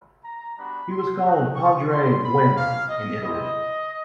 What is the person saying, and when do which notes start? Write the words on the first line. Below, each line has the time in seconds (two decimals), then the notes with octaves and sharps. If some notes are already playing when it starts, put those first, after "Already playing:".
He was called "Padre Boemo" in Italy.
0.24 A#5
0.57 G3 B3 D4 F#4 B5
0.90 C6
1.23 C4 D#4 F#4
1.56 C#6
1.90 G3 C4 D#4 C6
2.23 B5
2.56 A#3 C#4 F4 F5
2.88 D#5
3.21 G3 C4 E4 D#5